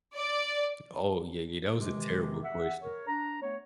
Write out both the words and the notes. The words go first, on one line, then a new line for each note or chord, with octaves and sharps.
Oh, yeah, yeah. That was a terrible question.
D5
C3 D#3 E3 G#3
E5 F#5
A#4 C#5
D4 A#5
A3 B3 C#5